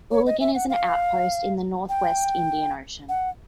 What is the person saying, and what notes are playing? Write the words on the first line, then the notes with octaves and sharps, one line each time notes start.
Uligan is an outpost in the northwest Indian Ocean.
C#5
D#5
E5
F#5
F5
G5
F#5